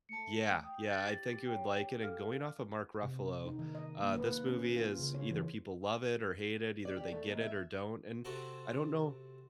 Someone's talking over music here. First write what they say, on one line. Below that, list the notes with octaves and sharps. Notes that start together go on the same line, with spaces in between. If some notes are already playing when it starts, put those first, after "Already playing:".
Yeah. Yeah, I think you would like it. And going off of Mark Ruffalo, uh, this movie is either people love it or hate it, either they get it or don't, and I don't know
A3 A5 C#7
G5 D#6
G4 A6 F#7
C#5 G5
A4 F5 F6
C3
D#4
D#3
D#5
A#3
B4
C#4
F4
C#3
C#5
E3
D5
G4
A3
D#2
E5
C3 C4 F#4 A4 F#5